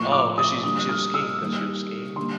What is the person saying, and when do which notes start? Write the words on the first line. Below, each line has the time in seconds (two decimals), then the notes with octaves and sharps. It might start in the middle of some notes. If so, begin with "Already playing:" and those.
Oh, 'cause she's she was skiing 'cause she was skiing?
Already playing: A2 F3 A#3 C#6
0.12 D6
0.38 D#6
0.63 D3 G3 A#3 D#6
0.89 F6
1.14 E6
1.41 D#3 G3 A#3
2.16 D3 G3 A#3 C6